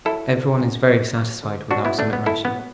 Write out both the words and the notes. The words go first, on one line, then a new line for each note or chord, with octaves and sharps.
Everyone is very satisfied with our summit ration.
F#3 E4 A4
D3
F#2
F#3
F#3
D3
F#3 D4 F#4
B3 E4
D3 A3 D4
B3
A2 E4 A4
B3
F#3